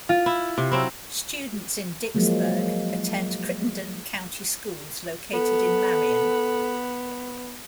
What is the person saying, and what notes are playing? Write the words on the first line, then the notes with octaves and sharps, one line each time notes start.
Students in Dycusburg attend Crittenden County Schools located in Marion.
F4
E4
C3
F#3 C4 E4
F3 F#3 G#3 A#3
B3 A4